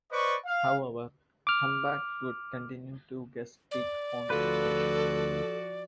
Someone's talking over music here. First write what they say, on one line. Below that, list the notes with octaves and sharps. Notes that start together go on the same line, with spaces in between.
However, Humbard would continue to guest-speak on occasion.
B4 C5 D5 D#5 C#6
F5
D6 F6
D5
D2 F3 F4 F#4 A4 B4